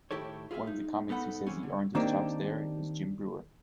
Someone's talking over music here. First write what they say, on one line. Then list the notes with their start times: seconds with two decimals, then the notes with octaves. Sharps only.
One of the comics who says he "earned his chops" there is Jim Breuer.
0.11 A2 D#3 E4 G4 A4 C#5
0.51 F4 G#4 A#4 E5 F5
0.67 D#4
1.09 G#2 B3 D#4 A4 F#5 B5
1.47 E3 F#3 G#3 C4 C#4
1.63 D3
1.95 D#3 A#3 C4 D4 D#4 G4